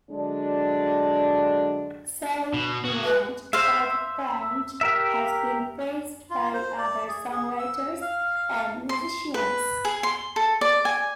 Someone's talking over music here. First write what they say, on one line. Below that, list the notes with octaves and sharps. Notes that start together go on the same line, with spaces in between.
"Selling England by the Pound" has been praised by other songwriters and musicians.
D3 F#3 G#3 D4
B2
F#4 G#4
B4
C5 E5 F5
G4 A#4 E5
F4
C5
D5
G#4
G#4
E6
F5
C6
B4
G#4
C6
A4
D5
G#5